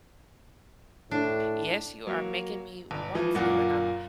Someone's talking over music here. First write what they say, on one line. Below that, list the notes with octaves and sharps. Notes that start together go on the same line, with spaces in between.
Yes, you are making me want to, and I'm
A2 D4
F#3 A#3
G1
E3 F3
F#2 A#2 F4 A#4 F#5